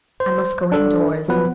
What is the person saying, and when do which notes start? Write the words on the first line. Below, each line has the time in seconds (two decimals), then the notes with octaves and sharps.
I must go in-doors.
0.20 C5
0.72 D4 A4
1.28 F3 F#3 B3 B4